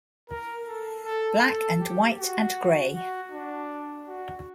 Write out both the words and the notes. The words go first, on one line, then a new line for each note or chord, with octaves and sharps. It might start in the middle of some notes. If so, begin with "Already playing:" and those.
"Black and White and Grey".
A#4
A4
A4
A4
G4
F#4
F#4
D4
F#4